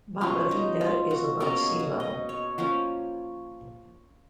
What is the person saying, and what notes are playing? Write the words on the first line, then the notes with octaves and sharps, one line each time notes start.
Baba Vida is above sea level.
B2 F#3 C#4 F4
D#4
F4
F#4
B2 A#3 C#4 A#4
G#4
F#4
D#5
C#5
F3 A#3 C#4 F#4